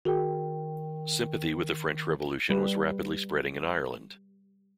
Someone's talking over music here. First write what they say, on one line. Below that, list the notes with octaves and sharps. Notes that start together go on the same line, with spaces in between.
Sympathy with the French Revolution was rapidly spreading in Ireland.
D#3 F#4 G#4 A#4 G5
G3 B4